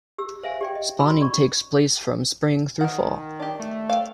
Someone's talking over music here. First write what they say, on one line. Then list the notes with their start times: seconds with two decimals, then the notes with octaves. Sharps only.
Spawning takes place from spring through fall.
0.18 G4 E6
0.43 C5 E5 F5 G#5
0.61 G4 D5 G5
0.75 D#5
1.00 C#4 D#4 F#4 B5 C6 E6
1.20 C#4 D5 C#6
2.81 D#3 A#4 F#5
3.40 D4 G4
3.60 A3
3.89 A4 F5 G5